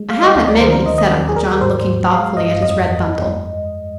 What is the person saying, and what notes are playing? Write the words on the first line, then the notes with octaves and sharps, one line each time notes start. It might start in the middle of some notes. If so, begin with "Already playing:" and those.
"I haven't many," said Uncle John, looking thoughtfully at his red bundle.
Already playing: G#3
G3 F5
D#5
D2 D#5
D5
A#4
D#3 C5
A#4
D#3 D#5
D#5
D#2 D5
G#4
D#2 A#4
G#2 C5
G3
G#3 F5
G2 D#5
F2 D#5